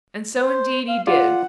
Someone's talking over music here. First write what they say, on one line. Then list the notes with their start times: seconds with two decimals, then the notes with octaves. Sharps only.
And so indeed he did.
0.37 C5
0.87 F5
1.07 F4 D5 F#5